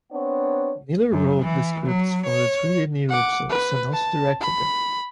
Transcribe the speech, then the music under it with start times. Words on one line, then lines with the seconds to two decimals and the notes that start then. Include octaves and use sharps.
Naylor wrote the scripts for the three new episodes and also directed them.
0.12 B3 C4 D4 C#5 F#5
1.12 F#2
1.43 E3
1.86 F#3
2.27 C#5
3.09 F#5 D6
3.50 B4
3.93 A5
4.41 B5